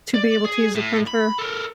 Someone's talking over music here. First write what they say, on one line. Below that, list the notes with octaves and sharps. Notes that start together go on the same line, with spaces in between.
to be able to use the printer.
D5
G#4
A2
B5
A4 A#4